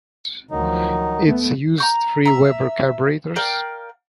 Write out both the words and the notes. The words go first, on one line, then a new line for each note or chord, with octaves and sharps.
It used three Weber carburetors.
D2 D#3 F3 F#3 D#4
A3 B3
A#5 C#6 G6
E5 A#5
A#4 D5 F5 G5